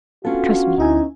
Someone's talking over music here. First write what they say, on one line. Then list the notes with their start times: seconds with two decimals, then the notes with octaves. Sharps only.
Trust me!
0.25 B3 C#4 D4 F4 F#4 A4
0.78 D2 D#4 E4 G#5